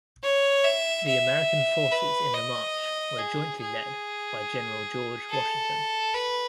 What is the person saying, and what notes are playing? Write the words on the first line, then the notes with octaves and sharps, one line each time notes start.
The American forces in the march were jointly led by General George Washington.
C#5
E5
E5
B4
D#5
G#4
G#4
A4
B4